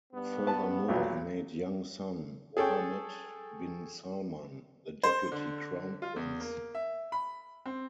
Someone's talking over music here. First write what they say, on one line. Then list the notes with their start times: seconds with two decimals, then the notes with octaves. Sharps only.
Furthermore he made young son, Mohammed bin Salman the Deputy Crown Prince.
0.13 G2 B3
0.47 B4 A5
0.88 B1 A#2 F#3
2.57 G#4 A4 C#5 G5
5.04 C5
5.32 D3
6.02 F4
6.16 E2
6.40 A#3
6.75 E5
7.12 B5
7.66 C4